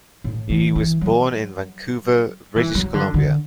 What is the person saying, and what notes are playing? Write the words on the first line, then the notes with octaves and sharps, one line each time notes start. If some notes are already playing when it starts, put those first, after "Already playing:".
He was born in Vancouver, British Columbia.
A2
E3
E3
F#3
E3
F#3
D3
D3